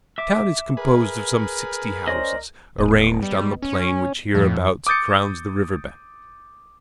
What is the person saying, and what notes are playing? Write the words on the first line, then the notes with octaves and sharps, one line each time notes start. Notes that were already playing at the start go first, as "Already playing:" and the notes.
The town is composed of some sixty houses, arranged on the plain which hereabouts crowns the river-bank.
E5 D6
G#4 A#4 B4
C#4 C5 D5 D#5
D#1 B3 D#5
G3
C#4
F2 A2 B6
D6 D#6 G6 A6 C#7